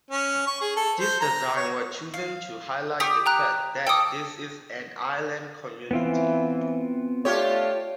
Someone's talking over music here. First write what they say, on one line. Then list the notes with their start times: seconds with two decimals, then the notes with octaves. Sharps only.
This design was chosen to highlight the fact that this is an island community.
0.11 C#4
0.47 C#6
0.61 G#4
0.76 A4
1.00 C5
1.20 A#5
1.56 C#5
2.14 F5
3.00 G4 C#6 D#6
3.26 G5 A#5 F#6
3.87 A4 G5 D6 D#6
5.91 E3 B3 C4 F4
7.25 A3 D4 F4 G4 C#5